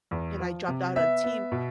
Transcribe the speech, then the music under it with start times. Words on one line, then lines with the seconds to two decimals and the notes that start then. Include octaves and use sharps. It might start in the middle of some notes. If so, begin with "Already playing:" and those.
and I dropped out of the team,
0.11 E2
0.39 F3
0.68 C3
0.96 B3 E5
1.24 B3
1.52 B2